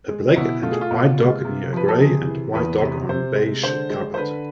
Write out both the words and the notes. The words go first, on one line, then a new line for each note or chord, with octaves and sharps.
A black and white dog near a gray and white dog on beige carpet.
G#3
B2 E4
A3 F4
G#4
F4
B2
G#3
C3
F3 B4
A4
C3 G#4
E3
E2 B4
C3
C3 C5
G#3
D3 C5
G#3
C5
D3 B4